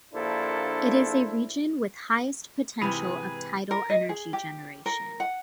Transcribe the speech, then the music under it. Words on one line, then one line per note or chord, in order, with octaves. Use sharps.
It is a region with highest potential of tidal energy generation.
A#1 A#3 D4 E4 A4 C5
G#2 C3 E3 G#4 B4 B5
A#4
D#5
G#4
G4
A#4
F#5